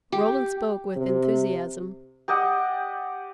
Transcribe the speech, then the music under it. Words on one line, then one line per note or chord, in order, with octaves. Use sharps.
Rollin spoke with enthusiasm.
G4
C3
G4 D5 D#5 F#5